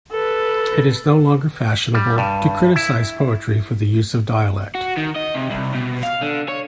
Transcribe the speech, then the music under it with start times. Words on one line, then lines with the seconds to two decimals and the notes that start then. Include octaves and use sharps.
It is no longer fashionable to criticise poetry for the use of dialect.
0.11 A4 B4
1.94 G3
2.18 G2
2.76 E4
4.75 F#4
4.97 D#3
5.15 D#5
5.35 C3
5.51 C2
5.75 B2
6.03 F5
6.21 D3
6.49 C#5